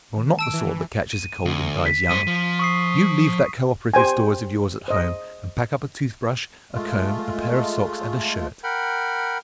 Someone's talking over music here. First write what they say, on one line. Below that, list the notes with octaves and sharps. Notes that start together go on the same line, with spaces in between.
You're not the sort that catches a cold and dies young. You leave that co-operative stores of yours at home, and pack up a tooth-brush, a comb, a pair of socks, and a shirt.
D#3
A5 E6 D7
E3
D#7
D2
B6
G2 C5 D#7
F3
C#6 D#6 C7
G4 C5 G5 G#5
C5 D#5
G#3 A3 F4
A#4 F#5 G5 B5